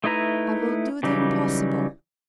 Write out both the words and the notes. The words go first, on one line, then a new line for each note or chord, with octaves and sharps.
I will do the impossible.
A3 D#4 E4 B4 A#5
C#3 E3 F#3 G3 D#4